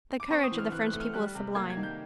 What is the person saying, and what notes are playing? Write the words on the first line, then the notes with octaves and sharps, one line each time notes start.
The courage of the French people is sublime.
D6
C4 C#6
D#6
E3
F6
E3 F#6
F#6
A3
F6
G3 F#6
C3
A#3 G#6
G#6
D#3
G6